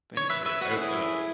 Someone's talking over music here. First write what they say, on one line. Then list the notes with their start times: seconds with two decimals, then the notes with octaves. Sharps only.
Thank you. I hope so.
0.17 C#5
0.30 B4 E5
0.46 B4 E5
0.61 F#4 B4
0.77 E4 G#4